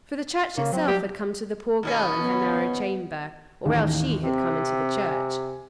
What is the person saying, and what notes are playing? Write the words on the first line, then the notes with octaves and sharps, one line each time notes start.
For the church itself had come to the poor girl in her narrow chamber, or else she had come into the church.
C#3 A#3
F#3 C4
G3 G4
D#2 B2 C#4
B3
A1 D#2
C3 C4
G#5